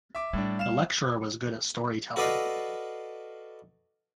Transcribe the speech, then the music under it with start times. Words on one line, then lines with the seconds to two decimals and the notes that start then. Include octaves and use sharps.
The lecturer was good at storytelling.
0.15 E5 D6
0.33 A2 G3 D4
0.59 F5 E7
2.16 F#4 A4 B4 D5 D#5 F5